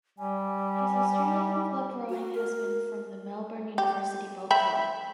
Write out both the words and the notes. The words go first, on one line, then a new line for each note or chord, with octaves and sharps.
His Australian club rowing has been from the Melbourne University Boat Club.
G3 G#5
F#4
A#4
G4
E5 G5 B5